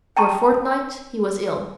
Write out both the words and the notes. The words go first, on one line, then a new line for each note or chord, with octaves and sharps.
For a fortnight he was ill.
G5 A5 A#5 C#6